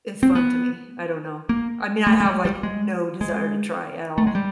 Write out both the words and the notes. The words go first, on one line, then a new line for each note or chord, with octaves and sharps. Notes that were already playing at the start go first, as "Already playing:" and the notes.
as fun to me. I don't know. I mean, I have, like, no desire to try at all.
C4
B3
A#3
A3
A3
G#3
G3
G#3
G#3
A3
G#3
G3